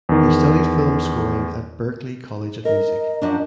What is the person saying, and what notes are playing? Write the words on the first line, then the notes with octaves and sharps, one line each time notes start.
He studied film scoring at Berklee College of Music.
E2 D#3
A#4 D#5
F#2 F3 D4